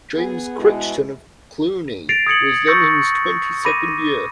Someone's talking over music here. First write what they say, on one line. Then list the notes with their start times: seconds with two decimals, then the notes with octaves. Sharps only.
James Crichton of Cluny was then in his twenty-second year.
0.15 B3 G#4
0.59 B2 G#3 E4
2.09 A6 A#6 C7 D7 F7
2.27 D#6 G#6 C#7 F#7
2.67 C#6 E6 G6 A6 A#6 C#7
3.65 B5 D6 A#6 D#7